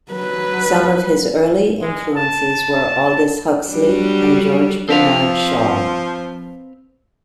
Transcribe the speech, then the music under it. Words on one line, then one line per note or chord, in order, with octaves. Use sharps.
Some of his early influences were Aldous Huxley and George Bernard Shaw.
F#3 B4
G#3
A5
F#3 G3 D4
F3 C4 B4 F5